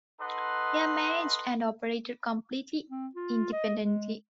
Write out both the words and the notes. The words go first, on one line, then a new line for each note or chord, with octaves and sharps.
They are managed and operated completely independently.
D#4 A4 B4 D#5 F#5 C6
C4
F4
D#5
G#3